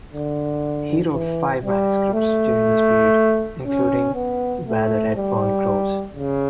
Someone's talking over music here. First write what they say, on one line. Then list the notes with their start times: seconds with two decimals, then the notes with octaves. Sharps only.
He wrote five manuscripts during this period, including "Where the Red Fern Grows".
0.12 D3
1.13 E3
1.63 G3
2.13 A3
3.64 C#4
4.14 B3
4.65 A3
5.16 G3
6.16 C#3